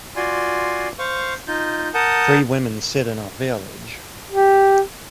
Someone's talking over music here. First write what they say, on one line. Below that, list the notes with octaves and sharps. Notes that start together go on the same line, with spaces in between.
Three women sit in a village.
F4 F#4 D5 G#5 C6
C5 F5 C#6
D#4 F4 G6
A#4 F#5 A5 D#6 G6
G4